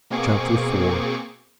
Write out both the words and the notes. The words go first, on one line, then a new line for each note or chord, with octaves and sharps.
Chapter IV.
B2 A#3 C4 G#4 C#6 D6